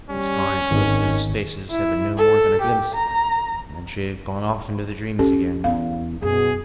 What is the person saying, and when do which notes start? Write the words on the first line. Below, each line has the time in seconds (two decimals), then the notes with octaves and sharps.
These kind, solicitous faces had been no more than a glimpse, and then she had gone off into the dreams again.
0.10 G3 C#4
0.71 G#1 D#3
1.71 E4
2.18 A4
2.62 G4
2.95 A#5
5.19 C#4 F4 G4 A4
5.64 E2 F5
6.22 F#2 B2 G#4